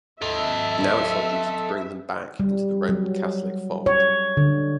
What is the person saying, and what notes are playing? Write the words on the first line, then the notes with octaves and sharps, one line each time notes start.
Now it's our duty to bring them back into the Roman Catholic fold.
A4 D#5 E5
G3
F#3
C#5
D3